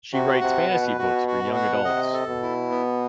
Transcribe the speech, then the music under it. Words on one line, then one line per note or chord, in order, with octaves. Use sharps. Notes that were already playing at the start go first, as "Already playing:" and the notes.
She writes fantasy books for young adults.
C3 F#4
C3 F#5
B2 B4
B2 F#4
F#4
B2
F#5
C3 D#5
A4
B2
E4
B3